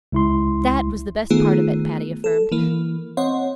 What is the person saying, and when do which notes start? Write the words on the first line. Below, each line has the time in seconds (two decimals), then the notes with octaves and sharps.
"That was the best part of it!" Patty affirmed.
0.12 C#2 E4 C6
1.30 D#3 A3 B3 F4 G#4
2.24 A4
2.52 E3 A#3
3.17 C4 C#5 D#5 F#5 C6